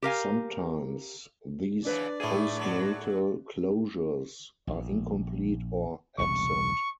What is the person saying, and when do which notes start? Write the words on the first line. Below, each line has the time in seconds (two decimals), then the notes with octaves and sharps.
Sometimes these postnatal closures are incomplete or absent.
0.02 G4 A#4 F5 G#5
1.85 C#3 E3 F#3 D4 B4 D5
2.20 A2 A3 A#3 E4 G#4
2.56 D3 F#3
4.67 A#1
6.18 E1 C2 C#3 C#6